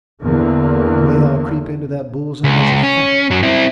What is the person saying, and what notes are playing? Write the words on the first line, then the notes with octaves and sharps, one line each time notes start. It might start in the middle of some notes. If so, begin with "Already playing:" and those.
"The way I'll creep into that bull's-eye's a fact."
E2 D3 A#3
C#2
C#4
F#2 F#3
C4 E4